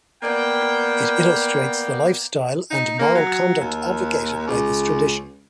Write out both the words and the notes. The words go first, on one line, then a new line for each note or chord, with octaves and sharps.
It illustrates the life style and moral conduct advocated by this tradition.
A#3 B3 D5 G5
D#4
A#3
F#3
D#2
C#2